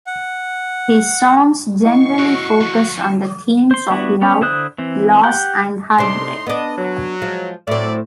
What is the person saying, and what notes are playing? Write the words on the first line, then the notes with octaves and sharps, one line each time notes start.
His songs generally focus on the themes of love, loss and heartbreak.
F#5
E4 D#5 F#5 C#6 C7
C4 F#4 A#4
F3 F#3
C5 C6
G3 B3 D4 E4 F#4
B3 C#4
D3 E4 C5 D#6 F#6
E3 C4
G4 F#5 G5
A2 C3 D4 D#4 C6
B3 D4 D#5
F#3
F3 G#3
A2 F#3 C4 E4 D5